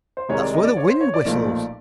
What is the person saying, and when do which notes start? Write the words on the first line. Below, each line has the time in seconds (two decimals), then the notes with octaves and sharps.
That's where the wind whistles.
0.17 C5
0.29 C2 C3 D#3 G#3 C#5
0.42 D5
0.54 D#5
0.65 D5
0.77 C#5
0.89 C5
1.01 C#5
1.14 D5
1.25 B1 A#2 F3 A3